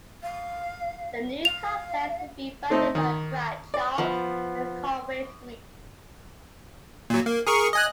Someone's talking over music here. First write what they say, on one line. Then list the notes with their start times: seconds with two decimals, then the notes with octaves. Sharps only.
The new complex will be bounded by Pratt, Charles and Conway Streets.
0.23 F5
1.45 F5 F7
2.70 A3 C4 D#4
2.95 D#3
3.74 D5
3.98 F3 B3
7.10 A#2 F#3
7.26 A#3
7.47 G#4 A#4 C#6
7.73 D#5 G#5 F#6